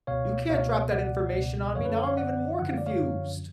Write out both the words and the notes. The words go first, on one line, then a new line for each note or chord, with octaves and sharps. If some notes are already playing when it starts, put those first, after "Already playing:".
You can't drop that information on me. Now I'm even more confused.
C#2 B2 C#5 F5
C#2 B2 C#5 F5
C#2 B2 D5 F#5
C#2 B2
F#2 D3 F3 C#5 F5
B4
A4 C#5
C#5 F5
F#2 D3 F3 D5 F#5
F#2 D3 F3 F#5
F5
D5
C#5 F5
F#2 D3 F3